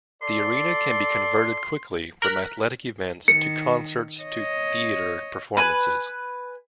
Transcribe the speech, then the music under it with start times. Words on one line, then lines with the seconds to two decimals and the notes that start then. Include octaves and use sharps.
The arena can be converted quickly from athletic events to concerts, to theater performances.
0.22 A4 D5 C6
2.22 A#4 F#6 B6
3.28 D#3 C#7
4.22 C#5 D#5
5.57 B4 G#5